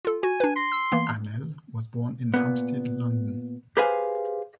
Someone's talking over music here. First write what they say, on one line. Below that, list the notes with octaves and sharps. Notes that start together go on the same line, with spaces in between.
Arnell was born in Hampstead, London.
F4 A4
F#4 G#5
D4 B4
C6 A#6
E6
E3 A#3 B3
A#2 B3
G4 G#4 B4 C5 F5 G#5